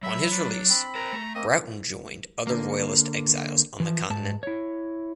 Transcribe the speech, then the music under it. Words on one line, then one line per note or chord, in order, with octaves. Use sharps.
On his release Broughton joined other Royalist exiles on the Continent.
F#3 E5 B5
D4
C4 B5
A#4 C5 A#5
A3
A#3 C4 D#5
D3 A#3
E3 F3
G#2 A5
E4 C#5